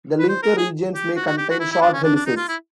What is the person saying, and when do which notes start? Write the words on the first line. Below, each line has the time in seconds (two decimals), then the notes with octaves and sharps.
The linker regions may contain short helices.
0.19 B4
0.29 C5
0.43 A#4
0.57 G#4
0.95 G4
1.16 F#4
1.27 F#4
1.38 G4
1.50 F#4
1.60 E4
1.72 E4
1.82 D4
1.93 C#4
2.04 D4
2.15 D4
2.26 D#4
2.37 F4
2.48 E4